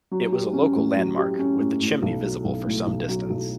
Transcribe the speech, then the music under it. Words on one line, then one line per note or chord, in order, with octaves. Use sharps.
It was a local landmark, with the chimney visible for some distance.
F#3
G4
C#4
A2
F#3
G4
C#4
A2
A2
B1
F#3
B1
A2
B1
F#3
B1